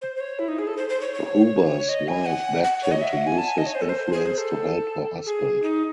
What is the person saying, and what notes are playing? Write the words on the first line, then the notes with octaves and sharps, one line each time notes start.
Huber's wife begged him to use his influence to help her husband.
C5
C5
C#5
E4
D#4
G#4
A4
C5
C5
C#5
C#5
D#5
G#5
F#5
F#5
C#5
D#5
E5
F#5
G#5
A5
G#5
D#5
C#5
C5
A4
C5
G#4
C5
A4
G#4
D#4